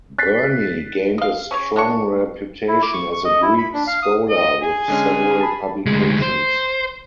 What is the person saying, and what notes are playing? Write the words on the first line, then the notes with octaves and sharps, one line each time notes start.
Burney gained a strong reputation as a Greek scholar with several publications.
F#6 A6 B6 C7
D#5 F5
C#4 G#4 C#5
G#3 D4 C#6
E4
D6
C#6
C#6
D#5
E4
B5
D4
F5
D#6
D#5
G#4 G#5
D3 G#3 C#4
A5 B5
D2 G#3
C5